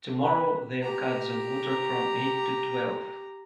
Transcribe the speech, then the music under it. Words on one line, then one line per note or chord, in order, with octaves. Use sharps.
Tomorrow they’ll cut the water from eight to twelve.
B4
G4 A#5